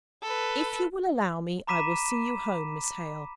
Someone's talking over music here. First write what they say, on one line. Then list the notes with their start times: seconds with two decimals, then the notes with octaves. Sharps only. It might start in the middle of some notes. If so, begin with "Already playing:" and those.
'If you will allow me, I will see you home, Miss Hale.
0.22 A4 B4
1.67 A#5 B5 D6 B6 D#7 E7